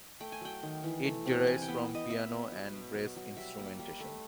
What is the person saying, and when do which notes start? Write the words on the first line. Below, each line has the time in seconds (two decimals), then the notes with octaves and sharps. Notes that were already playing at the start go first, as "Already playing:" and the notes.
It derives from piano and brass instrumentation.
0.20 A3 G5
0.32 G#5
0.41 F#3 G5
0.63 D#3
0.84 E3
1.04 A3
1.26 C3
1.47 E3 G#5
1.62 G5
1.68 B3
1.89 B3
1.95 D#5
2.10 B3 E5
2.32 B3
2.52 F#3
2.73 B2
2.95 F#3
3.16 F#3
3.37 G3 E5
3.59 A#3
3.79 G3
4.00 A3